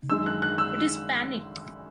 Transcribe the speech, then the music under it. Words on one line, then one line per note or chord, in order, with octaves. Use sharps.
It is panic!
F#2 D#3 G#3 E6
F#6
F#6
E6